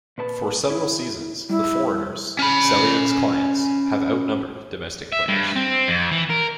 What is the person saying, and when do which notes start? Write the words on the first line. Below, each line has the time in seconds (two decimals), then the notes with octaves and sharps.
For several seasons, the foreigners, Selyuk's clients, have outnumbered domestic players.
0.18 A#2 B4 A5
0.70 E4
1.50 G3 E4
2.39 C#4 B5
5.12 E5
5.28 G2
5.56 C4
5.88 F2
6.11 E3
6.30 A#4